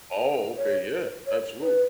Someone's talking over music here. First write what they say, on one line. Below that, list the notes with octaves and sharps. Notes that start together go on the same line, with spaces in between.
Oh, okay yeah, absolutely,
C#5
C#5
B4